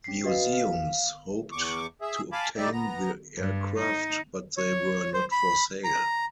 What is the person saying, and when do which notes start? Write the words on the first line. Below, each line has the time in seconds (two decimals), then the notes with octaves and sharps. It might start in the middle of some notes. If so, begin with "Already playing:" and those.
Museums hoped to obtain the aircraft, but they were not for sale.
0.04 C#4 B6 C7
0.24 F#4 B4 D#5 F5
0.53 F5
1.52 E2 C#6 D6
2.02 G#4 E5
2.33 F5 G#5 A5 B5 D6
2.57 G3 A3 D#4 G4 D5 E5
2.72 B3 A#5
3.37 G2
3.79 D#4
4.57 C#5
5.13 C5
5.32 B5
5.84 A#5